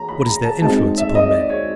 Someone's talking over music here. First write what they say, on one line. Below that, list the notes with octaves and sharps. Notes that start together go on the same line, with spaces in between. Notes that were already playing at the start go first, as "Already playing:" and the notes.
What is their influence upon men?
Already playing: E3 A#5
B5
A#5
A5
G#3 C4 D#4 F#4 A5
E5
D#5
D5
C#5